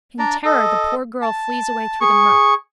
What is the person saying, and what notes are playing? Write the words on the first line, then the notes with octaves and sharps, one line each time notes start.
In terror the poor girl flees away through the murk.
D4 D5 A#5
A4 D#5
A5
G#4 C#6